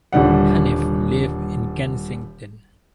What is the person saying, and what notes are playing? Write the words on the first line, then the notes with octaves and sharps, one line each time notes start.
Hanif lives in Kensington.
D#1 D3 G3 F#5